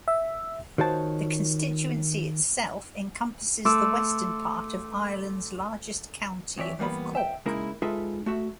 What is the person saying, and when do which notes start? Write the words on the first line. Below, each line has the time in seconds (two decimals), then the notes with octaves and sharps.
The constituency itself encompasses the western part of Ireland's largest county of Cork.
0.08 E5
0.78 D#3 F4 F#4 C5 C#5 A5
3.65 A3 C6 D6 E6
6.58 F2 E3 C#5 D5 E5
6.79 E3 G3 A#3 B3 B5
7.15 E5 G5
7.46 C#3 G#3 A#3 D#4 E4 A#4
7.82 G#3 D#4 F4 A4 B4 E5
8.26 A3 F#4 E5